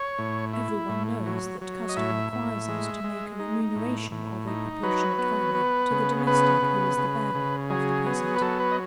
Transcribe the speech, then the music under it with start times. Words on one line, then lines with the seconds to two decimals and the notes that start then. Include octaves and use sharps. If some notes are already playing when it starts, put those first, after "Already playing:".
Every one knows that custom requires us to make a remuneration of a proportionate value, to the domestic who is the bearer of the present.
Already playing: C#5
0.18 A2
0.53 E4
0.89 A2
1.26 F#3
1.61 F#3
1.89 D#5
1.97 A2 E5
2.33 A2
2.69 G#3
3.04 G#3
3.40 D#4
3.76 A2
4.12 A2
4.47 D#4
4.83 F#3 B4
5.19 B3
5.55 B3
5.91 C#3
6.27 B3 B4
6.62 C#3
6.98 C#3
7.35 C#3
7.70 F#3 G#4
8.06 B3
8.36 B4
8.41 F#3 A4
8.60 B4
8.71 D#5